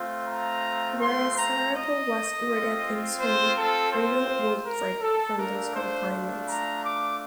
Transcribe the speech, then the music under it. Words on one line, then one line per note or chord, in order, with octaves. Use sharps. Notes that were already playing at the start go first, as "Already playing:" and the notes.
Whereas Siravo was rooted in swing, Riddle would break from those confinements.
Already playing: A3 C4 F4
A#5
C6
A#5
D#5
C4 F4
C5
A4
C5
A#4
A4
A3 D4 F4 A#4
C5
A#5
D6